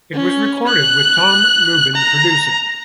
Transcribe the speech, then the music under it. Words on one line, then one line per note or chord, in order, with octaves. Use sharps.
It was recorded with Tom Lubin producing.
C#4
F#6
A#5